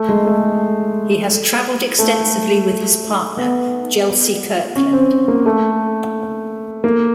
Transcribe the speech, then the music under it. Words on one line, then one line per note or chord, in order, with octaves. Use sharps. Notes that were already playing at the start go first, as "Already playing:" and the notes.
He has traveled extensively with his partner, Gelsey Kirkland.
Already playing: A3
G#3
A3
A3
B3
C#4
C4
A#3
A3
A#3